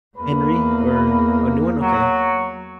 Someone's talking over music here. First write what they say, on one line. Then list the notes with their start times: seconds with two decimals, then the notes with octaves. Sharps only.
Henry or a new one, okay.
0.17 E2 A#3 B4
1.82 F#3